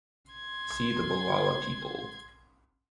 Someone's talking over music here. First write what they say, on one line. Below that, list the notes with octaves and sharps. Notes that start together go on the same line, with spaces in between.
See the Bulala people.
C6 G#6